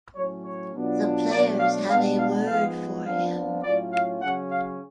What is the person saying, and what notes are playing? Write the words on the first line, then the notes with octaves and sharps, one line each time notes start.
The players have a word for him.
A2 F#3 C#4 C#5
C#5
B2 F#3 B3 D4 F4
B2 F#3 A3 D4 D5
F5
B2 G#3 B3 D4 F5
F5
G#2 F3 G#3 B3 F5
F2 F3 B3 D4 F4 F5
A2 F#3 C#4 F4 D5
F5
C#3 F#3 C#4 F#5
F5